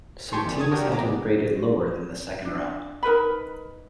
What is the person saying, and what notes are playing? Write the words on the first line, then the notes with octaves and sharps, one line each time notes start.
Some teams had him rated lower than the second round.
G4 G#5 A5 C6 C#6
G1 E2 C3 D#3 G3
D#3 A5 D#6 G#6
D4 F#4 G4 A#4 C#5
G#4 A#5 D6
B3
D4
D#4 A#4 B4 B5